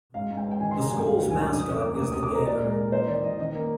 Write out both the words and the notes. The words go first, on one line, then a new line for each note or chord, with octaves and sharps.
The school's mascot is the Gator.
G#2 F5
G#2
G5
G#2
G5
D#3 G#5
C6
G#3 A#5
G2 G#5
G5
G3 F5
G5
D2
G#5
D3 D6
F2 D#6
D3
D6
A#3
D6
D2 D#6
D#6
C3
D6
C3 A#5
D#5
A#2 D5
G#3
A#4
A#2
A#3 C5
D#3 D5
D#3 D#5
D#3 D#5
A#3